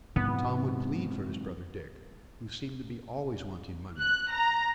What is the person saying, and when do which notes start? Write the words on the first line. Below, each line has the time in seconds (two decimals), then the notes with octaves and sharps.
Tom would plead for his brother Dick, who seemed to be always wanting money.
0.16 G#2 C3 E3 F#3 B3
3.99 F#6
4.32 A#5